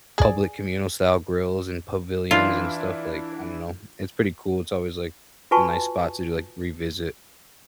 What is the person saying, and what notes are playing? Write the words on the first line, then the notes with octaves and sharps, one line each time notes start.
public communal style grills and pavilions and stuff, like, I don't know, it's pretty cool. It's always, like, a nice spot to, like, revisit
G#4 D5
E3 D4 E4 F4
F4 F#4 B4 G#5 A5 C#6